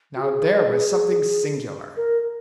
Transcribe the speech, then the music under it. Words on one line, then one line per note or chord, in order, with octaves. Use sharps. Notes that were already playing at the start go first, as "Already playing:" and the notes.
Now there was something singular.
F#4
G#4
A#4